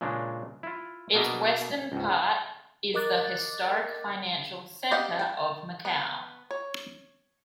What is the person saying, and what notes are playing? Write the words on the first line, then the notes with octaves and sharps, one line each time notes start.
Its western part is the historic financial centre of Macau.
A#2 C#3 G#3 D4
E4 F4
B2 A#3 D4 D#5 E5
C#2 G#2
A#4 D#5 D6 F#6 A6
G4 D#5 F5 F#5
G5 A5
B3
C#5